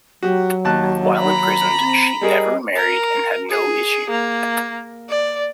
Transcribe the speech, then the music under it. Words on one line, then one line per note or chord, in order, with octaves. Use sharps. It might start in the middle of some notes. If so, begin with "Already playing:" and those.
While imprisoned, she never married and had no issue.
F#3 F#4 G4
D#2 A5 F#6
A#5 B5
C4
G3 G#4 A#4 D#5
A#4
G#4
A#3
D5